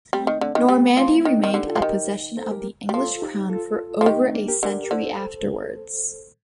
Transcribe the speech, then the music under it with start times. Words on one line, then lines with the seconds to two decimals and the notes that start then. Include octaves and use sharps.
Normandy remained a possession of the English crown for over a century afterwards.
0.13 G3 A3 C4
0.27 D#3
0.41 D3
0.55 D#3
0.69 G3 A3 C4
0.97 F3
1.25 D#3 A#3 D4
1.39 D#3 C4 D#4
1.53 D3 D#4 G4
1.67 F4 A4
1.76 F3
1.81 D#3 G4 A#4
2.37 A4 C5
2.51 G4 A#4
2.89 G3
2.94 F3 F4 A4
3.22 D#4 G4
3.49 F4 A4
4.01 F3
4.06 D#3 D#4 G4
4.20 A3 C4
4.35 A#3 D4
4.48 G4 A#4
4.62 D3 G4 A#4
4.91 D3 A4 C5